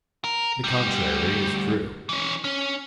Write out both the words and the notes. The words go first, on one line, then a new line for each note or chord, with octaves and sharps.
The contrary is true.
A#4
D2 G3
E3 C#4
C#4